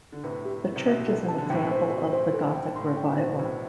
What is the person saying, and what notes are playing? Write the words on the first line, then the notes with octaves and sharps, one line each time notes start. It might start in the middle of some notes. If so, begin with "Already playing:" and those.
The church is an example of the Gothic revival.
D3
A2 C3 B4
G4
E4
C3
B2 E5
A4
A5
D3
A2 C3 G5
C5
F#4
C5
A4
G5
A2 C6
G5
B2
C3 C5
B2
A2 C3 C5